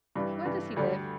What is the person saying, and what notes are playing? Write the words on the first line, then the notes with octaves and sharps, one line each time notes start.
Where does he live?'
G2 E3 G3
G2 E3 G3
D2 D3 G3